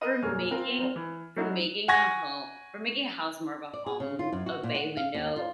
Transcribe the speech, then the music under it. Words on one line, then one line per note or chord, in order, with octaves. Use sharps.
for making for making a ho for making a house more of a home, a bay window
A#4 B4 D#5 D#7
E1 F#2 A#3 G#4 C#5 F6
C4 F4 A#4
E3
F#3 C#4 D#4 E4 F#4 E5
F#5 G#5 C#6 G#6 A#6
D5
G#4
C#3
F4
F#2
F#4
A#2
F#5
F5
D#2
F4